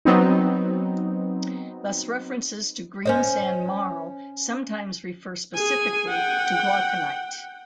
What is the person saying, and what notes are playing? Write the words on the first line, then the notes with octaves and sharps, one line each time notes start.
Thus references to "greensand marl" sometimes refer specifically to glauconite.
F#3 B3 C4 D#4
C#4 C5 D#5
G#4 G#5
F#5 G5